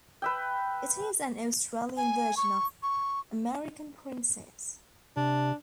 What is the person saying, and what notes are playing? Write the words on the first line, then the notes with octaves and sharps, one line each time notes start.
It is an Australian version of "American Princess".
B4 E5 G5
G#5
C#6
C#6
C3 D4